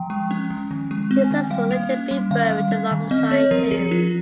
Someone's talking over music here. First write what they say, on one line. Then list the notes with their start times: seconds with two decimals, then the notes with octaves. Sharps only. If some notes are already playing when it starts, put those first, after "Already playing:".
His sons would later be buried alongside him.
Already playing: F3 G5
0.10 G#3
0.31 C#4
0.50 F3
0.71 D#3
0.91 G#3
1.11 C4
1.24 G#5
1.31 D#3
1.37 G5
1.50 G3 F5
1.71 A#3
1.90 C#4
2.11 G3
2.31 D#3 F5
2.51 G3
2.71 C#4
2.91 D#3
3.11 C4 D#5
3.31 C4 C#5
3.51 F3 A#4
3.71 F3 G#4
3.91 C#4 F4